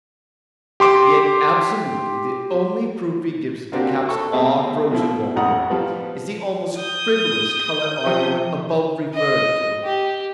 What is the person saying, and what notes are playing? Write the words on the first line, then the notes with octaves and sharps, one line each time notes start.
Yet absolutely the only proof he gives that the caps are frozen water is the almost frivolous colour-argument above referred to!
G4 C6 D6
A#3 C4 D4 F#4 G4
A4 C#6
B2 A3 C4 G4 G#4 E5
B2 F3 E4
A1 F2 G#3 F#5 A#5 D#6
F3 G3 B3
D#6 G6
C3 F3
D#5
G4